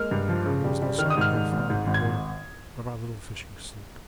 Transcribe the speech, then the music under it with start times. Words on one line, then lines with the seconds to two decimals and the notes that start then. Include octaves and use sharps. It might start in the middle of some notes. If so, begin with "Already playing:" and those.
But there was no sign of my father or of our little fishing sloop.
Already playing: G#3 A#3 F6
0.11 G2
0.29 F3
0.46 C#3
0.64 G3
0.82 G3
0.98 D#3 F6
1.10 D#6
1.17 G#2 F6
1.35 G#2
1.52 G#1
1.70 G#2
1.87 G#1
1.94 G#6